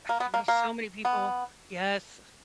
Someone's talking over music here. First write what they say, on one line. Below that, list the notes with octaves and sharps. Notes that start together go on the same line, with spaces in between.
okay I know so many people yes.
A#3
B3
A#3
A#3
B3